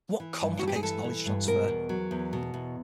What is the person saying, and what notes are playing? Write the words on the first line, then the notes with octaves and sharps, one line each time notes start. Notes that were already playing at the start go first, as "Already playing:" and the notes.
What complicates knowledge transfer?
E3
G2
G2 F#4
G4
G#4
E3 A4
E3
G2
B2 A#4
E2
F#3
E2
B2
E2